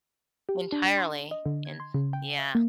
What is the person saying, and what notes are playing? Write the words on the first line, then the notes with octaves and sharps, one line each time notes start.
entirely. And yeah.
G4
D4
C6
D#5
D3
G#6
C6
C#3
G5
E5
A#3